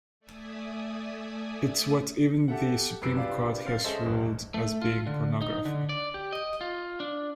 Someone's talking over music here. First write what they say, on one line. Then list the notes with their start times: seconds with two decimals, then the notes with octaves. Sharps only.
It's what even the Supreme Court has ruled as being pornographi.
0.20 A3 D5 E5 G#5 D#6
2.48 G4 A4 E5 F#5
3.02 F#2 G4 B4 E6 C7 D7
3.16 C3 D4 F4 G4 B4
3.65 C4 F5 A6
3.84 G#3 C#4 A4 C5 D#5 E5
4.05 B1 E2 G2
4.54 A3
4.82 F4
5.07 D3
5.42 D#4
5.65 D3
5.89 D5
6.14 G4
6.32 D#5
6.61 F4
7.00 D4